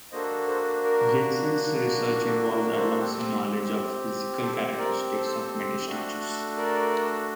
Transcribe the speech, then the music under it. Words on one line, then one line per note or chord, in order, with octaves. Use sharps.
Jensen's research involves advancing knowledge of the physical characteristics of metal structures.
A#3 D4 F#4 A4 C5 D#5
A4 C5
A#4
A4
A#4
A4 C5
C4 G4
A4 C5
C5
A#4 D5
A4 C5
A3 D4 F#4 A4
A#4 D5